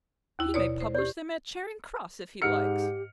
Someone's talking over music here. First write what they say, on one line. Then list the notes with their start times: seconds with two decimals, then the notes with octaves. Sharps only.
"He may publish them at Charing Cross if he likes."
0.39 D#2 E4
0.54 B2 C#5 D5
0.81 C5
0.95 G4 D5
2.42 G#2 G4 F6 C#7